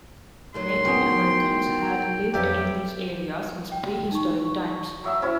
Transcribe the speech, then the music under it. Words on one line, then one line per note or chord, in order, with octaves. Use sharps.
Native Americans had lived in this area since prehistoric times.
A2 D#3 F#3 C6
B3 F#4 G#4 G5
F2 F#3 G3 B3 G4 E5 G5
G5
D#4 C#6
C#6
F#3 E5 E6
C#4 E4 F#4 C5 C#5